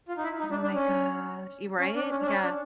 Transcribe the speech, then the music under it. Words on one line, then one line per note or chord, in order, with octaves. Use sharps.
Oh my gosh y right? Yeah.
F4
D#4
E4
D#4
D4
D4
C#4
C#4
D4
C#4
D4
C#4
D4